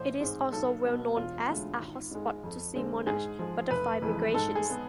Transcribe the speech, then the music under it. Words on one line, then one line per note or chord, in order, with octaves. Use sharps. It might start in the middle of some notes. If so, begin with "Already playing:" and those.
It is also well known as a hotspot to see monarch butterfly migrations.
Already playing: A1 C5
G#2 G#3 C4
B1 A4
B2 B3
E1 F4
D2 D3 G#3
G#1
G#2 G#3
F2
D3 G#3 C4
G#2 G#4
F3 G#3
F1 B4
F2 E3 G#3
G#2 A4
G#4
G#3 B3